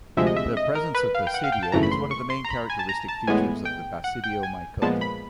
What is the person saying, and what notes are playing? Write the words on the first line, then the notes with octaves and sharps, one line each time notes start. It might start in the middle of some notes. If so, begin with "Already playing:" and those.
The presence of basidia is one of the main characteristic features of the Basidiomycota.
D2 C3 F3 G#3 E5
D#5
E5
D#5
A#4
B4
F5
G5
F#5
F5
G5
A5
G#1 F#2 C#3 E3 A3 A#5
B5
C6
C#6
C6
A#5
B5
G#5
A5
A#5
A5
A2 E3 G#3 B3 G#5
G5
F#5
G5
G#5
A#2 F3 G#3 B3 A5
B5